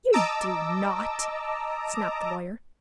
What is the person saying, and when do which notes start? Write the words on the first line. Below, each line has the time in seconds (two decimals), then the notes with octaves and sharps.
"You do not," snapped the Lawyer.
0.13 D#5 A5 A#5 D6 E6